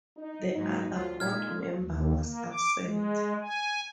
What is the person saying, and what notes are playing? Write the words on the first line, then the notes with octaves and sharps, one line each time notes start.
The other board member was absent.
D#4
G#2 E3 F#3 A#3 D#4
D2 F3 F#3 F4
A#2 G#3 D4 D#4 F6 G#6
D#2
A#3
D6
G#3
G#5